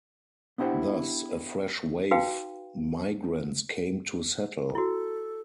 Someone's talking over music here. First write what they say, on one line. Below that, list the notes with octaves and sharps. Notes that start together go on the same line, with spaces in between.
Thus a fresh wave migrants came to settle.
B3 D4 E4 G4 C5 F#5
D#4 F#4 B4 F5 G5
E4 F#4 A4